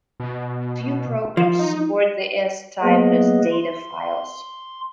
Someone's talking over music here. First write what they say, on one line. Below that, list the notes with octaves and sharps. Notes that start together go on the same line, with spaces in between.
A few programs support the "S" type as data files.
B2
F3
D#4
F#3 A#3 B3 G#4 B4 D#5
C6